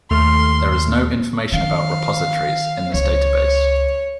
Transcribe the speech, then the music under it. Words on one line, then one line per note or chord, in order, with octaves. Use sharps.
There is no information about repositories in this database.
D#2 A3 C6 F6
D#3 D4 F5
C#2 C#5